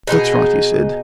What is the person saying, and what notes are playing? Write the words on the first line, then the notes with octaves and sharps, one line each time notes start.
"That's right," he said.
B2 D#4 E4 G#4